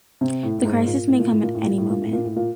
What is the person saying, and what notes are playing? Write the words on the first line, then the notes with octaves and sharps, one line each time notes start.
The crisis may come at any moment.
C3
A2
A2
G#2
A#2
A2
A#2
A2
A#2
A2
A#2
A2
A#2
A2
A#2
A2
A#2